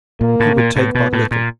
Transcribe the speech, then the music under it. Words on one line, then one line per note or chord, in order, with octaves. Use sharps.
He would take but little.
A#2 A#3
A2
A#2
A2 B3
B2
A2
A#2